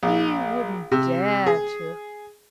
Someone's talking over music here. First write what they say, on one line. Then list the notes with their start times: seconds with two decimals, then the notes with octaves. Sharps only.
He wouldn't dare to.
0.03 A#1
0.92 C3
1.47 G#4